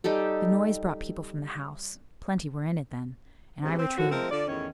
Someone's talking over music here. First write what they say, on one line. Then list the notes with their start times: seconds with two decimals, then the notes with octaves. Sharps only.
The noise brought people from the house--plenty were in it then--and I retreated.
0.04 G3 D#4 G4 A4
3.63 G#2 C3 F3 C4 C#4
3.78 C4
3.97 A2 D3 F3 F#4
4.10 F3 G#3 A3 C4 A#4
4.30 D3 F4 D5
4.47 E2 A2 D#3 C#4 C#5